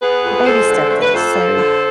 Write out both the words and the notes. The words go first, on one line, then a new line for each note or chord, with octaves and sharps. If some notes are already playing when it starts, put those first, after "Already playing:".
baby-step this." So,
B3 G#4 B4
F2
G#3 A4 C5
D3
A3 C5
B4
F2 A4 C5
F3
D3